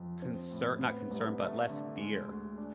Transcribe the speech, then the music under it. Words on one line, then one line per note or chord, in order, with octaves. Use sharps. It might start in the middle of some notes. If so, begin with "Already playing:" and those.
concer not concern, but less fear
Already playing: F2
C4
A2
B3
C2
A3
D3
G#3
D2
D4